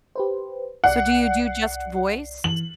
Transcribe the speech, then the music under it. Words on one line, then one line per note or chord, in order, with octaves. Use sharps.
So, do you do just voice?
G4 B4 C5
C2 D5 F#5 C7
E3 F#7